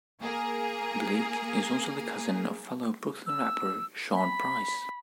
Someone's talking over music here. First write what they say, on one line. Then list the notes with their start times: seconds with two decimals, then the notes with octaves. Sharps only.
Bleek is also the cousin of fellow Brooklyn rapper Sean Price.
0.20 A#3 G#4 A#4
3.26 E6
4.14 B5